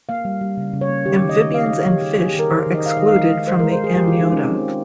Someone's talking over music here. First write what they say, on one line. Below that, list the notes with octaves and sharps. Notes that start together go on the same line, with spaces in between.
Amphibians and fish are excluded from the amniota.
A#3 F5
G3
G3
C#3
C#3
C#5
A#3
D#3 G4
D#3
D#5
D#3
A#3 F5
A#3 D#5
C#5
D#3 G4
A#3 G#4
A#3 G#4
G4
D#3 A#4
D#3 C5
D#3
D#5
D#3 F5
D#3 D#5
F5
G#3 D#5
D#3
G#3 C5
G#3 A#4
C5
G#3 G#4
G#3 G4
D#3 F4
D#4
G#3 C#4
G#3 C4
G#3